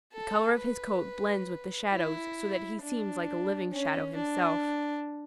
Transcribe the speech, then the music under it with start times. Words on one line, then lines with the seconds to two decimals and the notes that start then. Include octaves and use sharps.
The color of his coat blends with the shadows so that he seems like a living shadow himself.
0.13 A4
0.59 B4
1.92 E4
2.82 D4
3.72 C#4
4.16 D4